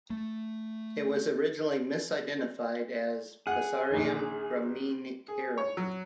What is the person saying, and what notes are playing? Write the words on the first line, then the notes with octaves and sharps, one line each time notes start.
It was originally misidentified as "Fusarium graminearum".
A3
G#4 F#5 F#6
A#1 D#3
G#4
C#5
F#3